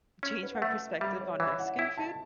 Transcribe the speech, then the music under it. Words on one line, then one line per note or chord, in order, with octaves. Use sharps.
changed my perspective on Mexican food,
C#4
B4
F#5
A3 E5
G3 E5
C#5
E3 E5
F#5
E4 G5
A5